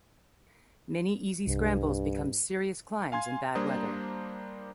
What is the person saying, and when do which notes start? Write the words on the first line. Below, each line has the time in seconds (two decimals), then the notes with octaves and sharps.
Many easy scrambles become serious climbs in bad weather.
1.47 C2 G2
3.12 F5 G#5 C6 G#6
3.55 G3 A#3 D4 C5 A#5 D#6